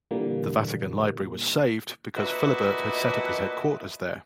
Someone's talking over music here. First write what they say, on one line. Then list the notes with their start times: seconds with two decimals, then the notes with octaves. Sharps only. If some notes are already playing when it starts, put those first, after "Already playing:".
The Vatican Library was saved because Philibert had set up his headquarters there.
0.11 A#2 D3 E3 G3 A#3
2.17 D2 A#2 E4 F#4 B4 D#5